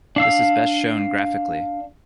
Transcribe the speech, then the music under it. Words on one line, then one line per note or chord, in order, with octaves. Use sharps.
This is best shown graphically.
D4 F5 E6